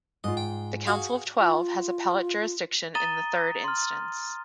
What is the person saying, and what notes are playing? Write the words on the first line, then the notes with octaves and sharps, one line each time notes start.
The Council of Twelve has appellate jurisdiction in the third instance.
G#2 F4 D#5
G5
F#4 G#4 F5
F4
A#5 D#6 A6 D#7 G7
C6 F6